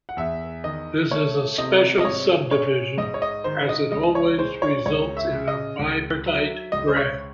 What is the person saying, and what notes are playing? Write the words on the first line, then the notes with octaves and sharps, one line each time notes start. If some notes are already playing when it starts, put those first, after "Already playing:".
This is a special subdivision, as it always results in a bipartite graph.
F#5
E2 E5
D#3 D#5
A3 C#5
C3 D#5
D#5
G#2 C#5
G#3 C#5
G#2 D#5
C#5
D#5
D#3 C5
D#5
C#2 D#5
C#5
G#3 C5
C#5
C#2 C#5
E5
C#3
D#5
C#2
F#3 E5
C#2 D#5
C5
C#5